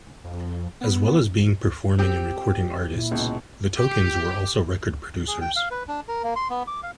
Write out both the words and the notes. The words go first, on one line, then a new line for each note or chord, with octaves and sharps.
As well as being performing and recording artists The Tokens were also record producers.
F2
B3
C4 G4
A#2 E4
C#2 B2
G4
G#4
G5
F5
B4
D4
A#4
A#3
C6
B3
D6
F5